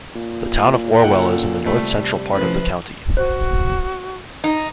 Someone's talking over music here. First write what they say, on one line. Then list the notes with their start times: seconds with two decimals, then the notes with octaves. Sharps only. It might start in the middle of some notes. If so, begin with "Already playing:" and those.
The Town of Orwell is in the north-central part of the county.
0.16 A#2
1.00 C#3 A4 F#5 G5
1.66 C3 G3 A3
2.33 A1 C3 F3 B4
3.17 F#4 C5
4.44 D#4